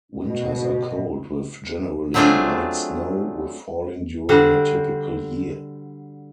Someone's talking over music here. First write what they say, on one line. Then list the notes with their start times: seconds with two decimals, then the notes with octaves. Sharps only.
Winters are cold with generally light snow, with falling during a typical year.
0.25 B2
2.14 F#3 A3 C4 D4 F4 G#4
4.29 D3 G3 F#4 C5